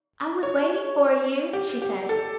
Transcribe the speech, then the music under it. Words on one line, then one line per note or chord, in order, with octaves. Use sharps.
"I was waiting for you," she said.
C#5
G4
G4
A4